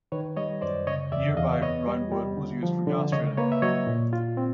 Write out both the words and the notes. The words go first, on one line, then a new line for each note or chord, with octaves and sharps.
Nearby Round Wood was used for gas training.
D#3 B4 C#5
G3 C#5 D#5
F#2 C5 D5
C#3 C#5 D#5
E2 D5 E5
E2 D#5 F5
B3 C#5 D#5
G3
G3
D3
F3
D3
C#3 C#5 D#5
A#3 B4 C#5
E5
F#3 C#5 D#5
A#2
F4
C4